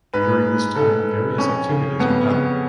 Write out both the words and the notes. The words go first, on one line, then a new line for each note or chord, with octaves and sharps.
During this time, various activities are done.
G#2 B4
G#2 A4
F2 C#4
C#3
F2 B3
C#3